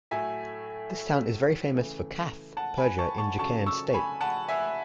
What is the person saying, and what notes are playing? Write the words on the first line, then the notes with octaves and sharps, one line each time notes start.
This town is very famous for "Chath" puja in jharkhand state.
A2 F#3 A3 E5 G#5
C#3 E3 A3
F#5 A5
G#5 B5
A5 C#6
A5 C#6
C#3 F#3 A3 A5 C#6
C#6 E6
G#5 B5
F#5 A5
E5 G#5